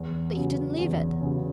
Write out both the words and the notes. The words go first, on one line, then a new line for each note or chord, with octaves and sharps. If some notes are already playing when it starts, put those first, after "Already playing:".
"But you didn't leave it."
Already playing: E2
C#3 F#3
E2
C#3 F#3